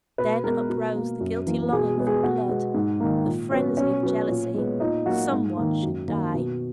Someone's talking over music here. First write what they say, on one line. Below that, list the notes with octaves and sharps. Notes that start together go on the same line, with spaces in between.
Then uprose the guilty longing for blood!--The frenzy of jealousy!--Some one should die.
B2 B4
G#3 B3 A#4
B2
A#3
F#2
E3 A#3
B2 G#4
G#3 B3
G#4
B2 F#4
G#3 B3
G#2
D#3 A#3
A#2
F#3 B3 C#4
B2 C#4
F#3 B3
A#2
G#3 B3
A#2 D#4
F#3 A#3 F#4
G#2
D#3 A#3
F#2
D#3 A#3
B2